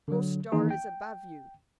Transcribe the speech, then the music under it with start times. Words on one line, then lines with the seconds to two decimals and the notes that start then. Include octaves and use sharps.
Your star is above you.
0.08 D3 F#3
0.52 D#3 E3 A#3 D#4 G#4
0.70 G5